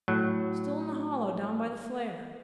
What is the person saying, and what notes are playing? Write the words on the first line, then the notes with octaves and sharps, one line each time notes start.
'Still in the hollow down by the flare.'
A2 F#3